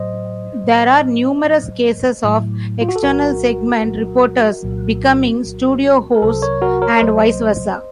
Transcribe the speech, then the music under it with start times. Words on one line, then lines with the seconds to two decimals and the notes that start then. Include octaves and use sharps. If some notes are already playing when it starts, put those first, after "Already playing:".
There are numerous cases of external segment reporters becoming studio hosts, and vice versa.
Already playing: A2 F#3 C5 D#5
0.63 A2 F#3
1.44 A2 F#3
2.24 A2 F#3
2.81 F4
2.89 F#4
2.96 A4
3.03 C2 A#2 F#3 F#4 A#4
3.82 C2 A#2 F#3
4.63 C2 A#2 F#3
5.42 C2 A#2 F#3
6.14 A#4
6.22 C2 C3 F#3 A4 C5
6.42 A#4 C#5
6.62 F#4 A#4
6.82 A#4 C#5
6.96 C#5
7.02 C2 C3 F#3 C5 D#5